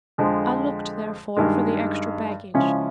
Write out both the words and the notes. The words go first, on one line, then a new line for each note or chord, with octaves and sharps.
I looked, therefore, for the extra baggage.
F2 D3 F3 G#3
G2 D#3 G#3
C#3 F3 G#3 C#4 E4